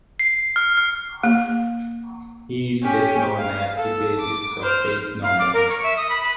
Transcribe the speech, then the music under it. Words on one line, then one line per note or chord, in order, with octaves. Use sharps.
He is best known as the bassist of Faith No More.
C7
F6
F6
A#3
C#4 G4
F5
A4
D6
C5 F6
F5
D6
A#4
C#6
E5
D#6
B5
B5